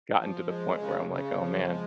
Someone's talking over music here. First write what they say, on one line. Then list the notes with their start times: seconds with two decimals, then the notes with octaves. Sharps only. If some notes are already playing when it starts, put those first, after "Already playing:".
gotten to the point where I'm like, "Oh, man"
0.18 F3
0.49 G#3
0.79 C#3
1.10 C#3
1.41 F3
1.71 G#3